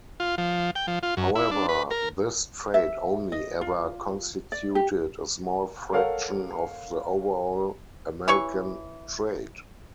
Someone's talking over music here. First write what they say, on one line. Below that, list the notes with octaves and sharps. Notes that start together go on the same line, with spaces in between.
However, this trade only ever constituted a small fraction of the overall American trade.
F4
F3
G5
F3
F4
F#2
E4
D4
B4
A#4
E5
D#5
F4
D5
G4
A4 A#4 C#5 F5 F#5
E3 C#5 C#6